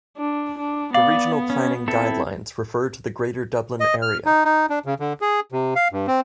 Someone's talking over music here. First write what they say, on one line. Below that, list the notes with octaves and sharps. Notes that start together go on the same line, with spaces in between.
The Regional Planning Guidelines refer to the Greater Dublin Area.
D4
D4
B3 D5 F5
C#4
C4 E4 A4
D#5
F6
D#4
D#4
D4
C#3
D3
G#4
C3
F5
G2
C4